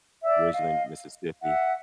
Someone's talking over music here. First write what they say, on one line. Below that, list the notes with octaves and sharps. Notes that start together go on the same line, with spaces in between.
originally Mississippi.
D5 E5
D#5 F5
E5 F#5